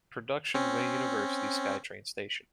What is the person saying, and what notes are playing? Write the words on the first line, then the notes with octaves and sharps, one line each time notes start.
Production Way-University SkyTrain station.
C4 C#4